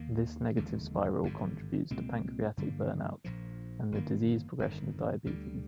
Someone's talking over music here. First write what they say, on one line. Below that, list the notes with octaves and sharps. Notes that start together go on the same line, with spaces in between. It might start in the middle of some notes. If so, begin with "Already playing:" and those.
This negative spiral contributes to pancreatic burnout, and the disease progression of diabetes.
Already playing: D#2 D#3 A#3
F1 D#2 D3 G#3
G#1 G2 D3
C2 A#2 G#3 C4
G2 D3 G3 A#3
A#1 A#2 F3
G1 G2 D#3 A#3
G1 F2 D#3
D2 D3 G3